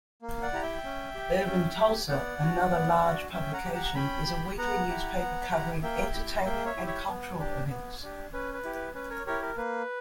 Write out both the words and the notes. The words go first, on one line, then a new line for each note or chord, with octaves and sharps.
"Urban Tulsa", another large publication, is a weekly newspaper covering entertainment and cultural events.
A#3
D5 F#5
E4 G4 A#5
E5 G5
C#4
G4
C#4
G4
B3 D5 F#5
D4 F#4
B3
D4 F#4
C#4 E5 G5
F#5 A#5
G4
F#5 A#5
A#5
C#4 G5 B5
G4
B3 F#5 A#5
E4 G4
B3
E4 G4
A#3 E5 G5
E4 G4
A#3 E5 G5
C#5 E5
E4 G4
C#5 E5
B3
D4 G4
B3
D4 G4
C#4 B4
B4
E4 G4
B4
C#4 B4
A#4 C#5
E4 G4 A#4 C#5
A#4
A#3 B4